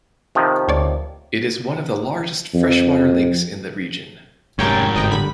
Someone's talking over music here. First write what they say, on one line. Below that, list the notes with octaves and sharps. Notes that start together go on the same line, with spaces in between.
It is one of the largest freshwater lakes in the region.
C3 D#3 F3
D2 C#5 D5
F2
F1 G#2 G3 C#4 A#4 G5 A6
G1 F2 C3 D#5 G5
D3 F#3 G3 B5 B6